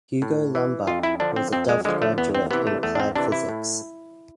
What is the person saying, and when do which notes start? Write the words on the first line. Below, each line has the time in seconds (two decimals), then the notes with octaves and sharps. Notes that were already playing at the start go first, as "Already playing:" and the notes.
Hugo Lambach was a Delft graduate in applied physics.
0.22 A2
0.55 E3
0.87 F2 F4
1.03 E4
1.20 D3 F3 D4
1.36 C4
1.53 F2 C4
1.69 G#3
1.85 D3 F3 G#3
2.02 A3
2.18 E2 B3
2.35 C4
2.51 C3 E3 B3
2.67 A3
2.83 E2 A3
2.95 D4
3.00 C4
3.16 C3 E3 D4
3.32 E4
3.49 A2